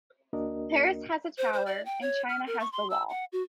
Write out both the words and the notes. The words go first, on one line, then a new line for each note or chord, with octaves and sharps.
Paris has the tower and China has the wall.
D2 A#3 D4 F#4 A#4 D#5
C5
C5
D5
G5
C#5
F6
A#4
C#6
C6
E6
F#5
F#4